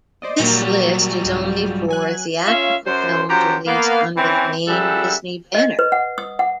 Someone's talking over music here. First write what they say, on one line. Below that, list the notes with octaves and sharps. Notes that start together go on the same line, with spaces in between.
This list is only for theatrical films released under the main Disney banner.
C5 D5 D#5
A#2 F#3 G3 A#3
C2 G#2 F4
F#3 G#5 F#6
C#4 F4 C#5 E5 F5
F#2 C5
F#2 F3 F#3 G4 C5 A#5
A#3 B3 F5
E3 C4 C#4
F#2 G3 G#4 A4 E5 F#5
D#5
B4
F#5
D#6
F#5